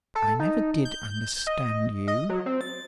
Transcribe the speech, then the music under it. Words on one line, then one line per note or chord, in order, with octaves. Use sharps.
"I never did understand you."
A4
D#4
G6
D#5
D#5
F#3
C4
A6